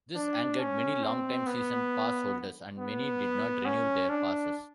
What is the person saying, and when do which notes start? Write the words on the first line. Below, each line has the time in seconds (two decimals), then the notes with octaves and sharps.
This angered many long-time season pass holders and many did not renew their passes.
0.15 D4
0.59 C#4
1.03 C4
1.46 B3
2.78 B3
3.65 C#4
4.10 D4